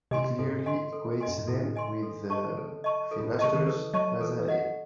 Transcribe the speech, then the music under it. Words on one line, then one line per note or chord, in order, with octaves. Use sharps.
He clearly equates them with Filaster's Nazarei.
C3 D#5 G#5 C6
G#2 A4
D#5 G#5 C6
A4
D#5 G#5 C6
F#2
G#2
A2 A4
D#5 G#5 C6
A4
D#5 A5 C#6
C#3 A4
D#5 A5 C#6
A4
A2
C3
C#3 D#5 A5 C#6
D#3
E3 A4
F#3 D#5 A5 C#6
E3 A4
E3
D#5 F#5